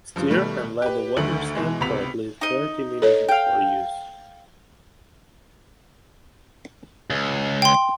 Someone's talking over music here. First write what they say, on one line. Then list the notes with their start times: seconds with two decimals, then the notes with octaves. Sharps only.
Stir and let the water stand for at least thirty minutes before use.
0.16 G2 F3
0.30 B2 D#3 G3 A3
0.82 G4 B4
1.16 D2 D3 D#3 A3 F#7
1.55 B2 E3 G#3
1.81 C#2 C3 B3 B5 B6 F7
2.41 D#4 D#5
3.02 A4 C#5
3.29 F5 G5
7.10 C#2
7.62 G5 C6